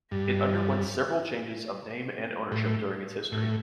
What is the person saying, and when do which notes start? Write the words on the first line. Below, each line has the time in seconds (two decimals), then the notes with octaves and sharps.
It underwent several changes of name and ownership during its history.
0.12 G2
2.52 A2
3.32 A2